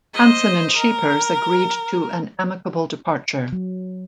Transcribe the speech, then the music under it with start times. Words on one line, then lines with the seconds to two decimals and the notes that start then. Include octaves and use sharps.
Hansen and Scheepers agreed to an amicable departure.
0.14 C5 D#5
0.76 A#4
3.53 F#3